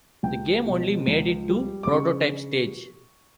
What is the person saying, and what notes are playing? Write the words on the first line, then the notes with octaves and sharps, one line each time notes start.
The game only made it to prototype stage.
C#2 G5
B2
C#2
G3
D6
C#3 C#6